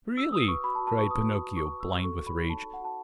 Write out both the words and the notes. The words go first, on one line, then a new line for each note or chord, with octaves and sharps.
"Really?" cried Pinocchio, blind with rage.
F#4 E6
B4 D#6
B4 C#6
F#4 B5
A5
F#4
A5
B4 C#6
B4 D#6
F#4
F#4
B4 C#6
B4
E6
F#4
A4 C#6
F#4
B5
C#5
D#4 A5
A4
F#5
F#4 A5